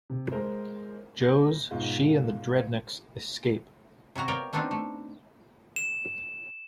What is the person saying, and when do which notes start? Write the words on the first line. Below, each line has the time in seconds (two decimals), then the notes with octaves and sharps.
Joes, she and the Dreadnoks escape.
0.10 C3
0.32 G#3 A#4 C5
1.21 F#6 G6 A#6
1.71 G#2 B2 F4
4.15 C3 E4 F#4 A#5
4.28 B3 A#4 C#5 D5 F5 G5
4.53 A3 B3 C4 D4 D#4 F4
4.71 A3
5.76 E7